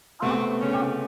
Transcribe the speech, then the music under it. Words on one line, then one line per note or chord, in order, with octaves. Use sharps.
Oh, huh.
C3 A3 B3 C4
C#3 C#4